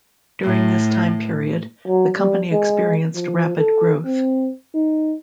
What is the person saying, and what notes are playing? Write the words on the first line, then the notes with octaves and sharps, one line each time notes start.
During this time period, the company experienced rapid growth.
A2
F#3
G3
G#3
F3
A4
C4
D#4